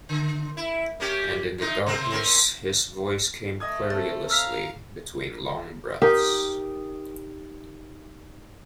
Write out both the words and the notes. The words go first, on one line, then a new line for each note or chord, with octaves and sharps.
And in the darkness his voice came querulously between long breaths.
D3
E4
A#3 C#4 G4
A#2 D#4
C3 A#3 C4
C4 C#4 A#4
A3 D#5 D#6 G#6
C4 A4 A6
F5 A#5 E6 F6 B6
D#4 G4 A#4